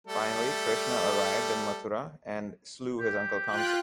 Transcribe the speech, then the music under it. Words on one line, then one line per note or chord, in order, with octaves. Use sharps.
Finally, Krishna arrived in Mathura and slew his uncle Kamsa.
G3 A3 A4
G4
F4 G5 F#6